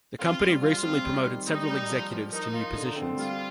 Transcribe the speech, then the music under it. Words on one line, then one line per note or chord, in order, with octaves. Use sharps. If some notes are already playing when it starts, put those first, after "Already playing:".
The company recently promoted several executives to new positions.
C4 F4
G3
F3 F4
C4
G3
D#3
G3 D#4
G3
F3
F3
D#4 A#4
F4
D3
C4
G3 F4